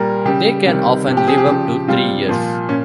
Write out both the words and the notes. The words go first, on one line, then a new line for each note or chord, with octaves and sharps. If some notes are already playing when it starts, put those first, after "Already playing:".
They can often live up to three years.
Already playing: A#2 G3 A#4
C#3 G3 G4
C3 D#3 G3
C3 F3
G4
G#4
G4
C#3 F3
C3 G3 F4
A#2 F3
A#2 C#4